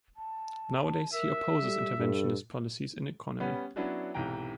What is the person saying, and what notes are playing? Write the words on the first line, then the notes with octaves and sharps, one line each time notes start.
Nowadays, he opposes interventionist policies in economy.
A5
A#4 E5
G3 A4
G2 A4
G3 B3 C#4
F#3 B3 C#4 D4 E4 F#4
B1 G#2 C3 E3 G5 A#5